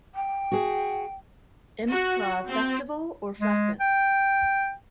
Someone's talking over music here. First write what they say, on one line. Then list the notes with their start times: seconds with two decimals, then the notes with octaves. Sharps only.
Improv Festival", or "Fracas!
0.15 G5
0.52 F#4 G#4
1.91 F#4
2.48 C4
3.41 G#3
3.80 G5